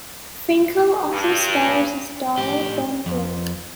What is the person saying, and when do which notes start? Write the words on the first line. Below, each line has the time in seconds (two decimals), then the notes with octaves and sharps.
Franco also stars as Darl Bundren.
1.10 G2
2.38 A2 G4
3.06 F2